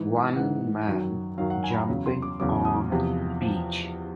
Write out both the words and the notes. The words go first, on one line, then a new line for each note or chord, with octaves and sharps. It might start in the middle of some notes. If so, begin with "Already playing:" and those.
One man jumping on beach.
Already playing: G#2 E3
G#2 E3 F#5
F#2 D#3 F#3
F#2 D#3 F#3 F5
F#5
G#5
B5
A#5
E2 C#3 F#3
C6
D6
E2 C#3 F#3 D6
D#6
E2 C3 F3
F3